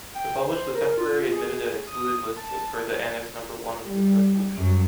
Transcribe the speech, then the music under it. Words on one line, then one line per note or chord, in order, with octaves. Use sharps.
To publish the temporary admitted and excluded lists as per the Annex number one of this resolution.
G5
C5
A#4
F4
G#4
D#6
A5
G3
F#2